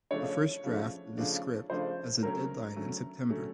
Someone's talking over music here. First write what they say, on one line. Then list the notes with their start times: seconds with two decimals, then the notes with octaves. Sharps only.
The first draft of the script has a deadline in September.
0.11 C#3 F3 A3 D4 C#5
0.64 C#3 F3 A3 D4
1.18 C#3 F3 A3 D4
1.70 C#3 F3 A3 D4 C5
2.23 D3 F#3 A3 C#4 A#4
2.76 D3 F#3 A3 C#4
3.30 D3 F#3 A3 C#4